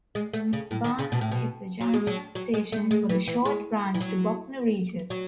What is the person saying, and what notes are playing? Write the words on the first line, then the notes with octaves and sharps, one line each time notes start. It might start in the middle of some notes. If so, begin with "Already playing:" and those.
Barnham is the junction station for the short branch to Bognor Regis.
G#3
A3
C#3
A2
D#3
C#3
B2
A2
B2
F#3
G#3
F#3
F#3
G#3
A3
G#3
E3
E3
G#3
E3
F#3
F#3